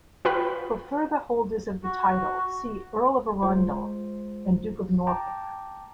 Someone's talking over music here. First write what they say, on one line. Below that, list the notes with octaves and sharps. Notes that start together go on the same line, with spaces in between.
For further holders of the title see Earl of Arundel and Duke of Norfolk.
F4 F#4 B4 G5 B5
F#4
G#3 F4 C5
G5 A5 A#5 D6